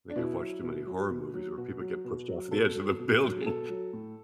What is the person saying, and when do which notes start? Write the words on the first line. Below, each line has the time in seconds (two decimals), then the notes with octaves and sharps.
I think I've watched too many horror movies where people get pushed off the edge of the building
0.10 D4
0.16 B2 E4
0.39 F#3
0.62 B2
0.86 F#3
1.10 B2
1.34 F#3
1.57 B2 F#4
1.80 F#3
2.05 B2
2.28 F#3
2.51 B2 A4
2.75 F#3
2.99 B2
3.23 F#3
3.42 G#4
3.46 B2 A4
3.69 F#3
3.93 A2